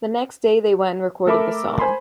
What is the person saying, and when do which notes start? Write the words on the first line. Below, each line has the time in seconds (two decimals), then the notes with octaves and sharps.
The next day they went and recorded the song.
1.26 A3 A4 A#4 E5 B5 D6
1.79 C5 G#5 B5 C6